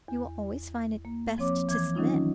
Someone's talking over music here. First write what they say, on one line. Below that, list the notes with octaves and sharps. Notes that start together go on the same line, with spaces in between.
You will always find it best to submit.'
E2
A#3
F3 C4 C#5 D6
E3 D6 G#6
D#3 F#3 C#4 D#4 F4